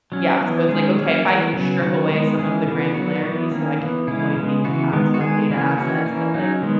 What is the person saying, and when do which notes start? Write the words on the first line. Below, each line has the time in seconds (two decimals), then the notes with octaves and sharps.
Yeah, so it's like, "Okay, if I can strip away some of the granularity, so I can avoid being taxed on data assets that like,
0.12 F#3 C#4
0.40 E3 B3
0.68 D#3 G#3 C#4 G#4
0.97 F#3 A#3 C#4
1.24 E3 B3 A#4
1.53 C#3 F#3 B3
1.81 D#3 F#3 C#4 F#4
2.10 D#3 G#3 B3
2.38 E3 G#3 C#4 G#4
2.66 C#3 E3 B3
2.94 D#3 F#3 B3 F#4
3.23 E3 B3
3.51 D#3 A#3 C#4
3.79 E3 B3
4.07 C#3 E3 G#3 C#4 E4
4.36 C#3 G#3 B3
4.64 C#3 E3 B3 F#4
4.93 D#3 G#3 B3
5.14 F#4
5.20 D#3 G#3 B3 G#4
5.49 C#3 E3 A#3 C#4
5.77 E3 A#3 C#4 F#4
6.06 E3 A#3 C#4
6.34 F#3 C#4 D#4
6.62 D#3 G#3 B3